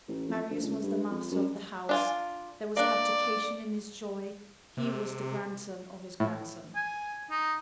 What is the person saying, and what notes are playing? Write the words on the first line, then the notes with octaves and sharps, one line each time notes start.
Marius was the master of the house, there was abdication in his joy, he was the grandson of his grandson.
A1
F2
D2
C#2
G2
F2
F#2
D4 F4 G#5
A#3 D4 D5
C3
A2
G#5
D#4